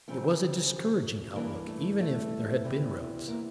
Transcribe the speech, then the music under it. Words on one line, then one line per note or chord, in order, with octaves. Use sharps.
It was a discouraging outlook, even if there had been roads.
F#2 C#3 F3 C4
G2 E3 A#3
A3
A3
E2 C3 E3
A#3